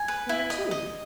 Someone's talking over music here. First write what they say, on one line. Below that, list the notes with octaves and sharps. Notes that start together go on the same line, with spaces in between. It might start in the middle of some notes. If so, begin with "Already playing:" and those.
"Where to?"
Already playing: G#5
B4
E4
D#5
D#5